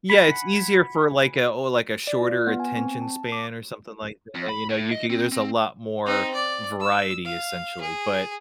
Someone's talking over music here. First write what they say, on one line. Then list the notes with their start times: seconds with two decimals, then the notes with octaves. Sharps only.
Yeah, it’s easier for, like, a or, like, a shorter attention span or something like that, you know, you could get there’s a lot more variety, essentially. But,
0.10 F#5 G#5 B5
2.07 D5
2.21 F4
2.47 B3
2.60 G#5
2.77 C4
3.02 A5
3.32 D6
4.35 F2
4.49 B5
4.69 A2
4.91 D#5
5.10 C4
5.32 C4
6.06 C4 D#4
6.34 D5
6.80 E6
7.25 F5
7.81 G#4